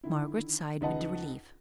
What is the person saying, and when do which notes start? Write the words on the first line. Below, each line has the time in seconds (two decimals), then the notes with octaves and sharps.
Margaret sighed with relief.
0.03 D3 D#3 E4
0.81 C#2 D#4 B4 D#5 F#5 A5